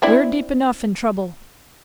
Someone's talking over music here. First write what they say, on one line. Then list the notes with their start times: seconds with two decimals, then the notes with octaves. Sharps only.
We're deep enough in trouble.
0.02 C4 D4 E4